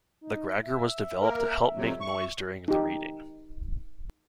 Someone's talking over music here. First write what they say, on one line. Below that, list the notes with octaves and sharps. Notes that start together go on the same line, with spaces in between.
The gragger was developed to help make noise during the reading.
D#4
E5
A#3 A#4
F2 C3 F#3
C#6
D#4 G4